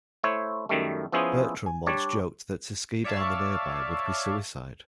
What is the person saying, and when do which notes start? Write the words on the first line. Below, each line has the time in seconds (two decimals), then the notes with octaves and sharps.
Bertram once joked that to ski down the nearby would be suicide.
0.23 A3 E4 C5 C#5
0.69 F#2 D#3 G3 A3
1.12 F3 B3 C#4 E4 G#4 C5
1.66 G#5
1.86 G3 D4 C#5 D5
3.04 C#5 D5 E5 F5 A5